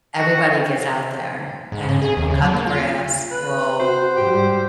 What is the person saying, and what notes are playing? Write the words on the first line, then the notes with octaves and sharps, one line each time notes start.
everybody gets out there and we'll cut the grass, we'll
F#4
G#2
C#3
G#4
D#2
C#3
F#3
A#3
F4
B4
F#4 C5
G#2 G3 G4